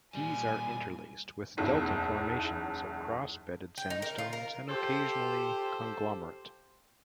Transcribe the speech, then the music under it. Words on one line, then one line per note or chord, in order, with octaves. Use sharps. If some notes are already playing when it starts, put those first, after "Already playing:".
These are interlaced with delta formations of cross-bedded sandstones and occasionally conglomerate.
A#2 G3 G#5
F#1 B1 E2
G5
D#4
A#4
F4
A#4
F4 G4 A4 C5